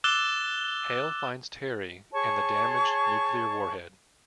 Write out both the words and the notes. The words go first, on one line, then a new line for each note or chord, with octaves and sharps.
Hale finds Terry and the damaged nuclear warhead.
D6 E6 F#6 A6 E7 G7
G#4 C#5 A5 C#6